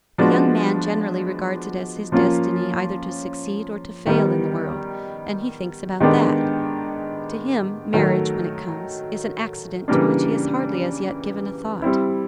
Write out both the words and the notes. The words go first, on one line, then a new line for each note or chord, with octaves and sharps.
A young man generally regards it as his destiny either to succeed or to fail in the world, and he thinks about that. To him marriage, when it comes, is an accident to which he has hardly as yet given a thought.
F3 G#3 B3 D4 F#4
F3 A#3 C#4 F4
D#3 G3 B3
D#3 G#3 B3 D4 G4
D#3 F#3 A3
C#3 E3 G3 A#3 D4
G3 C4 E4